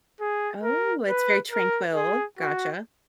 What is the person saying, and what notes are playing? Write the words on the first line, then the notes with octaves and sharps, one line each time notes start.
Oh, it's very tranquil, gotcha.
G#4
A#4
B4
A#4
G#4
F#4